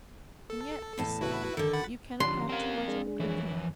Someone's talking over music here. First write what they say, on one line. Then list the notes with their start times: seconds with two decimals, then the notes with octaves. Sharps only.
And yet is said that you cannot have too much of a good thing.
0.50 A4
0.98 E2 A2 A5
1.21 E4 F#4 B4
1.57 D3 D#3 A4
1.73 F#5 B5 A6
2.20 D3 F3 C#4 G4 F#5 C6
2.49 C4 A#4 F5
2.88 G#3 D4 G#4
3.20 F2 E3 C#5